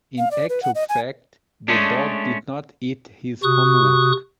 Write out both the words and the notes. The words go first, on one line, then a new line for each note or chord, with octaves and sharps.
In actual fact, the dog did not eat his homework.
F5
D5
B4
F#5
D#5
G#5
G#3 A3 C#4 D4
C3 F#4 C#6 D#6 F#6